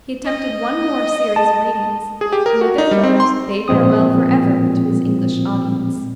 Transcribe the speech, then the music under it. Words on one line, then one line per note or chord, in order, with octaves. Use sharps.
He attempted one more series of readings, and with their close bade farewell for ever to his English audience.
D#5
A5
G#4
G4
A#4
F#4
D#4
G3
C4
C6
A#2 F3 G#3 C4 D#6